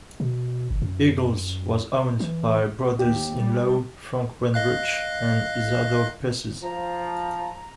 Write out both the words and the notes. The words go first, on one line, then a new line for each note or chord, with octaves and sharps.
Eagle's was owned by brothers-in-law, Frank Weindruch and Isadore Pesses.
B2
G1
F#2
E3
D#2 G4
G3
D#5 F5 F#6
F3 A#5